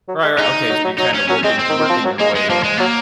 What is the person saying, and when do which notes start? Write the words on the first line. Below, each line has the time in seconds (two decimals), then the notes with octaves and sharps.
Right, righ okay, so, you kinda working working your way in.
0.08 F#3
0.24 G#3
0.38 G#3 D#4
0.69 F#3
0.84 F#3
0.98 F#3 D#4
1.14 C#4
1.28 F#3 C#4
1.44 G#3 C4
1.59 C4
1.69 D#3
1.79 D#3
1.89 F3
2.05 F#3
2.19 G#3 A#3
2.35 G#3
2.50 F3 A#3
2.64 G#3
2.78 F#3 A#3